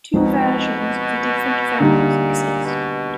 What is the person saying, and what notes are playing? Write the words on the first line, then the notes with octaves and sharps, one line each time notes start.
Two versions with different vocals exist.
B2 F3 G#3 C4 D#4
A#2 D3 G3 A#3 D#4
B2